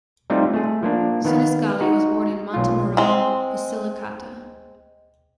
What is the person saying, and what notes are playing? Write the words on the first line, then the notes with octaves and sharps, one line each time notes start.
Sinisgalli was born in Montemurro, Basilicata.
G3 A3 C4 D#4 F4
A3 G#4
F3 A#3 D4
D#3 B3 F5
D#4 F#4
B1 F4
G#3 C4